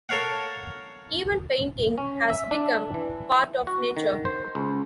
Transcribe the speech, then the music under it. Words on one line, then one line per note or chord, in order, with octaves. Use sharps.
Even painting has become part of nature.
A4 A#4 C#5 F5 F#5
C#4
E5
D4
E3
F#4
D#3
C5
C#2